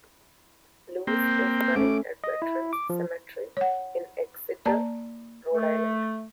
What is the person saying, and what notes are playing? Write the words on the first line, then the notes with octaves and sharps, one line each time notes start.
Luz is buried at the Veterans Cemetery in Exeter, Rhode Island.
A#3 C4 G5
A3 C#4 D6
D#5
E4
D6
F3
C#5 F#5
A#3 D5 A5 A#5
A3